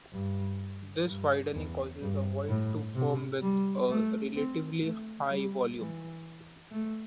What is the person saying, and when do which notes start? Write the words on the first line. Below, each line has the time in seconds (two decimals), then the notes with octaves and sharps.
This widening causes a void to form with a relatively high volume.
0.13 G2
1.06 G2
1.55 E2
2.02 G2
2.49 A2
2.95 C3
3.42 G3
3.90 A3
4.36 C4
4.83 A3
5.30 G3
5.78 E3
6.71 A3